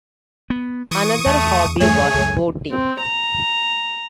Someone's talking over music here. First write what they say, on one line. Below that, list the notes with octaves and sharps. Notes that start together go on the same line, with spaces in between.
Another hobby was boating.
B3
E3 C#6 D#6 D#7
E2 A3
E2 G2 F3 A3 G#4 C#5 G#5
C#2 F#2
C4
A#5